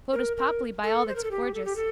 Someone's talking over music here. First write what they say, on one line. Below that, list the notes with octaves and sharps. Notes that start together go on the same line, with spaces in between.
Photo's papli, by all that's gorgeous.
A#4
A#4
A4
C5
A#4
A4
G4
A4
G4
A4